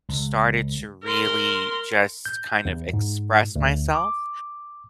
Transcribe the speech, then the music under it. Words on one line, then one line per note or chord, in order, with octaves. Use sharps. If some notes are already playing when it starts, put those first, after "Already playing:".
started to really just kind of express myself,
C#2
A#4 C6
G6
E2
G#2
D2
D6